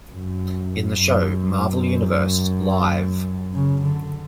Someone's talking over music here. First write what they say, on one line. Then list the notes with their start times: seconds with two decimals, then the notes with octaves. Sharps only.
In the show Marvel Universe Live!
0.11 F#2
0.98 F#2
3.54 C#3
3.82 D3